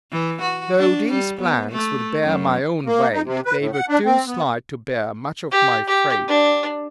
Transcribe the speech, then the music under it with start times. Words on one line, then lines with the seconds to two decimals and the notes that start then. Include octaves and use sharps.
Though these planks would bear my own weight, they were too slight to bear much of my freight.
0.12 E3
0.43 F#4
0.79 D4
1.10 G3
1.41 B3
1.72 A3
2.23 F#2
2.86 A#3
3.12 D#4
3.24 C3
3.45 B4
3.58 A2
3.73 F#5
3.88 D4
4.05 C4
4.27 B3
5.52 G4
5.88 G4
6.28 D4